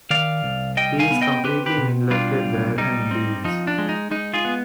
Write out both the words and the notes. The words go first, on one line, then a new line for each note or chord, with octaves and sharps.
He is completely neglected there and leaves.
D#3 D5 F5
C2
G3 D#5 G5
F5 G#5
B3
D#5 G5
C4 G4 B4
G4 B4
B2
G3 D4 F4
B1
G3 D#4
C4
F3 D#4
D4
G#3
D#4
G#3 D#4
F4 G#4
B3